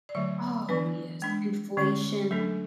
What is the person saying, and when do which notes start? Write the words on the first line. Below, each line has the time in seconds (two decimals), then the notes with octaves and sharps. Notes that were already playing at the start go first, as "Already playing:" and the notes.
Oh, yes, inflation.
0.09 D5
0.15 D3 F#3 A3 E5
0.69 E3 B3 D4 B4
1.22 G#3 D4
1.77 D3 G#3 C#4
2.31 F#3 A3 D4 A4